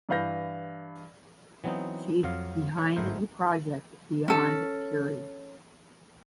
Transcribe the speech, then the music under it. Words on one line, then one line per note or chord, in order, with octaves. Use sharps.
She is behind the project Beyond Curie.
G2 E3 B4 F5 G6 A#6
E3 F#3 B3 C4 D#4
F2 F#3 F4 F5
E3 C#5
G1 G#2 A3 E4 A#4 C5
C#4 A4